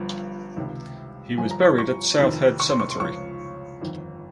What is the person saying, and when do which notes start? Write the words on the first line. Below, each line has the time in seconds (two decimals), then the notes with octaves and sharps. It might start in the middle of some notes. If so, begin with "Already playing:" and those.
He was buried at South Head Cemetery.
Already playing: G1 G2 F3
0.56 C#2 C3 D#3
1.38 G1 G2 F3 G#5
1.51 A#5
1.65 C#6
1.78 C#6
2.18 F1 F2 D#3
2.60 C#6
2.70 C6
2.80 C#6
2.90 C6
3.00 C#2 C#3 F3 C#6
3.81 G1 F2 D#3